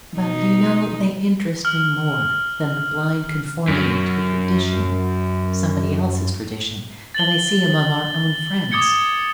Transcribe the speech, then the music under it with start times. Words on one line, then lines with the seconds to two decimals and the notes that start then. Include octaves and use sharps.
But, do you know, they interest me more than the blind conformity to tradition--somebody else's tradition--that I see among our own friends.
0.15 B2 D#4
1.65 F6 F#7
3.68 F#2 F#3
7.15 A6 F#7 G7
8.71 D6 D#6 G#6 A6 C#7 G7